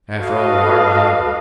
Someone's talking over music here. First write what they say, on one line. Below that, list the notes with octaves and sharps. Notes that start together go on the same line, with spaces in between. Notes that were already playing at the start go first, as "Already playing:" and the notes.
After all, we are behind him.
F#4 A4 B4 D#5 F5